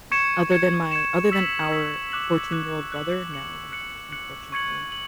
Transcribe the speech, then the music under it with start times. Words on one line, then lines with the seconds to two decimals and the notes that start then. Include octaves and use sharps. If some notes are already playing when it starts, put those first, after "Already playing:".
N other than my other than our fourteen-year-old brother, no, unfortunately.
0.12 C#6 G#6 C#7 E7
0.52 G#6 C#7 E7
0.91 G#6 C#7 E7
1.32 E6 B6 F#7
1.71 E6 B6 F#7
2.12 D6 F#6 B6 F#7
2.52 D6 F#6 B6 F#7
2.92 F#6 C#7 F#7
3.32 F#6 C#7 F#7
3.72 F#6 C#7 F#7
4.12 F#6 C#7 F#7
4.52 C#6 G#6 C#7 F#7
4.92 F#7